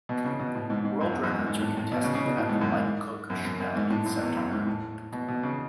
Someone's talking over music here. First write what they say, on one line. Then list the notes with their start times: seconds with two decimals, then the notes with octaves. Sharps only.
World records are contested at the Mike Cook ShootOut in September.
0.09 B2
0.25 C#3
0.39 B2
0.55 A2
0.70 G#2
0.85 G#2
1.01 F#2
1.12 E2
1.23 F#2
1.35 G#2
1.47 G#2
1.61 A2
1.77 A2
1.92 B2
2.04 C#3
2.15 C#3
2.26 B2
2.38 A2
2.49 G#2
2.61 F#2
2.73 G#2
3.30 F#2
3.45 F#2
3.60 F#2
3.75 G#2
3.90 A2
4.06 F#2
4.21 E2
4.37 F#2
4.52 G#2
4.67 A2
5.12 B2
5.28 B2
5.43 C#3